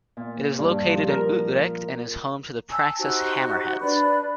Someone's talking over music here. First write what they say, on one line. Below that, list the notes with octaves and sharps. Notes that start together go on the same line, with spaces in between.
It is located in Utrecht and is home to the Praxis Hammerheads.
A#2
G2
F3
A#4
G#5 A5 E6
D#4 F#4 G4 C5
D4 B4 D5 B5